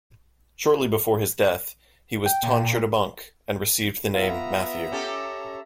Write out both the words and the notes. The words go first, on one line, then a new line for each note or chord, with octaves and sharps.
Shortly before his death he was tonsured a monk and received the name "Matthew".
G5
A#2
B3 F4 E5 A#5
C#4 G4 A4